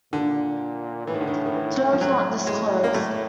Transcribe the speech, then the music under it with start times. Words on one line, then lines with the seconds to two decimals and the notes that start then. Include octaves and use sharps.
Terms not disclosed.
0.13 A#2 D3
1.06 A2 E3
1.14 D#3
1.21 D3
1.27 D#3
1.46 D#3
1.53 E3
1.93 F3
2.00 A2 F#3
2.47 G#3
2.84 A#3
2.94 A3